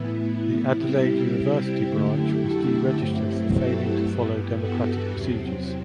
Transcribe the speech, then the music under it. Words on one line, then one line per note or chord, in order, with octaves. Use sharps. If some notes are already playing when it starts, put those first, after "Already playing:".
The Adelaide University branch was deregistered for failing to follow democratic procedures.
Already playing: A2 E3 B3 E4
C3 G3 C4 E4 G4
F#2 D3 A3 E4 G4
F#4 A4
G2 F#3 A3 C4 E4 G4
F#4 A4
G2 E3 G3 B3
F#4 A4
E2 C3 F#3 C4